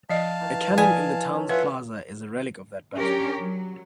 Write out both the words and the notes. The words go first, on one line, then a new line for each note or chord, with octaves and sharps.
A cannon in the town's plaza is a relic of that battle.
F3 D#5 F5 A5
D#3 E3
F3 G#5 B5
C#4 A4
F4 B4 E5 F#5
F#3 C#4 D4 G4 A#4 C#5
F#3